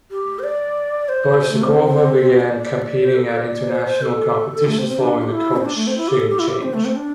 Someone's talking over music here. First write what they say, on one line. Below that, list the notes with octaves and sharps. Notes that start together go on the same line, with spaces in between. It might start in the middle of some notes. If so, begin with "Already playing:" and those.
Barsukova began competing at international competitions following the coaching change.
G4
C5
D5
C5
C5
A3
C4
D5
C5
A4
A4
D5
C5
C5
A4
A3
C4
C4
D4
G4
E4
C4
D4
A3
C4
E4
G4
A4
G4
E4
G4
C4
A3
C4
D4